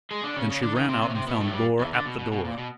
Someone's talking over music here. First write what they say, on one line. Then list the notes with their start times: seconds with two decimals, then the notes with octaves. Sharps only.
Then she ran out and found Gore at the door.
0.11 G#3 G#4
0.23 D3 D4
0.36 C#3 C#4
0.49 C#3 C#4
0.63 D3 D4
0.75 D#3 D#4
0.89 C3 C4
1.02 C3 C4
1.10 C#4
1.15 C3 C4
1.27 B2 B3
1.41 A2 A3
1.48 F#3
1.53 G2 G3
1.79 E2 E3
1.93 D3
2.05 B2
2.19 B2
2.32 B2
2.45 A#2
2.58 B2